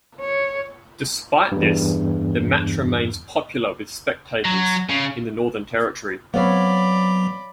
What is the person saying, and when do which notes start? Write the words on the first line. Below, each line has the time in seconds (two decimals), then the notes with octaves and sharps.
Despite this, the match remains popular with spectators in the Northern Territory.
0.20 C#5
1.52 E2 G2
4.45 F#3
4.90 C#3
6.34 F#3 B3 C4 C#5 D5 F5 B5